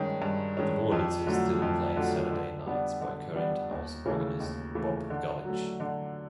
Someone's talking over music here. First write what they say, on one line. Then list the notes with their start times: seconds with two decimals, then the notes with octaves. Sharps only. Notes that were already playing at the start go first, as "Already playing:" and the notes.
The Wurlitzer is still played Saturday nights by current house organist Bob Gulledge.
Already playing: G2 D#3 G#3 C#4
0.22 G2
0.57 D#3 G#3 C#4
0.92 F2
1.26 D3 F#3 A3
1.62 F2
1.96 D3 F#3 A3
2.31 D3
2.66 G3 B3 D4
3.01 D3
3.35 G3 B3 D4
3.71 D#2
4.06 C#3 E3 A3
4.40 D#2
4.75 C#3 E3 A3
5.10 D3
5.45 F#3 A3
5.80 D3